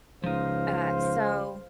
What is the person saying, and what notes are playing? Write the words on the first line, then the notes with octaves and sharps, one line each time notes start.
Uh, so,
C#2 F3 D#4 C5 F5